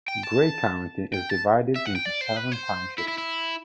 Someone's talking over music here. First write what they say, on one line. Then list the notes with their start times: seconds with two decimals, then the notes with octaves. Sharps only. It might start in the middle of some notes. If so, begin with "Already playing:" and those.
Gray County is divided into seven townships.
0.08 G5
0.23 A5
1.14 G5
1.30 A5
1.76 E5
1.85 F#5
1.95 G5
2.05 D5
2.21 C5
2.36 B4
2.52 C5
2.98 E4
3.08 E4
3.18 E4